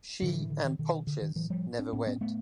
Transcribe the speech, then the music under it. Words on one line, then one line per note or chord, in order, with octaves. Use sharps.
She and Polches never wed.
A2 D3 E3
D3
D#3
B2 D#3
D3
D#3
A2 E3 F#3
F3 G3
C4 D4
A2 B3 C#4
B3 C#4
A3 B3